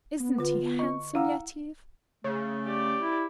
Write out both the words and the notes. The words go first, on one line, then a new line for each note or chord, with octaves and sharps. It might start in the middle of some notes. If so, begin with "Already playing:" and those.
Isn't he handsome, Yetive?
B3
D3 F4 B4
D#5 C#6
E4 F5 F#5 A#5 E6
C#3 A3
G4 D5
E4